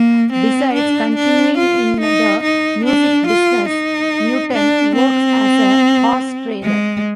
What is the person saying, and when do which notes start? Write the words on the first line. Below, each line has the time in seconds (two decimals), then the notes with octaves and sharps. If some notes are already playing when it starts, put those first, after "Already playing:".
Besides continuing in the music business, Newton works as a horse trader.
Already playing: A#3
0.32 C4
0.74 D4
1.15 D4
1.57 F4
2.00 D#4
2.43 D#4
2.84 D4
3.27 F4
3.68 D#4
4.52 D4
4.95 C4
6.63 G#3